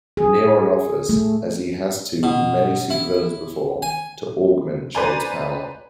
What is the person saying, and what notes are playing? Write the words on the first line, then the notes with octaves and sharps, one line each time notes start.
Neron offers, as he has to many supervillains before, to augment Shade's power.
G#4
A3
B2
E4
G#5
B4 C5 D5 G#5 A#5